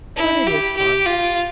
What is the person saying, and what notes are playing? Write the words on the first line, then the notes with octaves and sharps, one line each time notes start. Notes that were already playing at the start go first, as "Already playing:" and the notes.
But it is fun.
E4
G4
G4
F4